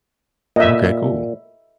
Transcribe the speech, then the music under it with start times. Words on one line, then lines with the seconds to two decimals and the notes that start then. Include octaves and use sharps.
Okay, cool.
0.56 A#2 D#5 E5